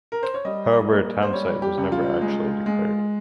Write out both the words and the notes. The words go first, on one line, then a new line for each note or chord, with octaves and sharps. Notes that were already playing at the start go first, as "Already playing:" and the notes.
However, a townsite was never actually declared.
A#4
C5
C#5
G3 D#5
A#3
C5
G3 C#5
G4
C#2
F4
G#3
G#3